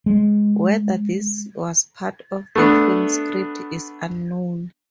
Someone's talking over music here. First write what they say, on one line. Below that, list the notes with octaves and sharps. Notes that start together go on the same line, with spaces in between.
Whether this was part of the film's script is unknown.
G#3
A3 B3 D4